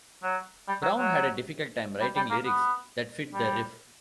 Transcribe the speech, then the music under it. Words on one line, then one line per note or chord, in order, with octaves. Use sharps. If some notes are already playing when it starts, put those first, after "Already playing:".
Brown had a difficult time writing lyrics that fit the riff.
F#3
G3
F#3
F#3
G3
G3
A#3
B3
G3